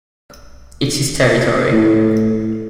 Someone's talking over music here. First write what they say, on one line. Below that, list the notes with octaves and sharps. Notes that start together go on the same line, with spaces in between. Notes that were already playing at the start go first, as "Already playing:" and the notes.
It's his territory.
A2